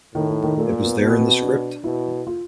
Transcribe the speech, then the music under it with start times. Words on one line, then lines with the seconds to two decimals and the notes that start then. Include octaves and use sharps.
It was there in the script.
0.15 A2 D#3
0.29 D#3
0.43 D#3
0.57 A#2 A3
0.71 A#3
0.86 B3
0.99 B2 B3
1.20 C4
1.42 D4
1.84 B2 E4
2.27 F4